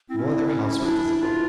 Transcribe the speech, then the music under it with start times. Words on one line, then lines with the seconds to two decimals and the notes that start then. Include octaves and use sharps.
No other house was visible.
0.10 C4 E4
0.18 C#4
0.27 C4
0.38 D4
0.48 C#4
0.85 D4
1.22 F4